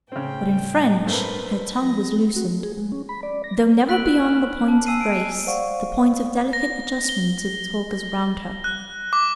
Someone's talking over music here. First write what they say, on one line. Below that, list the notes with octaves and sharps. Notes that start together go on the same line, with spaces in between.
But in French her tongue was loosened, though never beyond the point of grace, the point of delicate adjustment to the talkers round her.
A2 C#3 C4 G5
G2 A3 A#3 B4 C5
F3 A#6
F#4
A3
G#4
G#3
C#4
B5
D5
A#6
B5 E6 F#6 B6 D7 F#7
F#6 E7
F6 F#6
A5
G#5 E6 C7 D#7
D7 D#7
C5 D5 F5 F#5 C#6
A#6
G7
F#6
D6